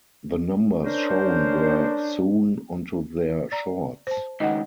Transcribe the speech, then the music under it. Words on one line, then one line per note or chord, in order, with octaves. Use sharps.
The numbers shown were sewn onto their shorts.
C#4 D4 A#4 C5
D5 A#5
C5 A5
C#2 D#3 D#5 F#5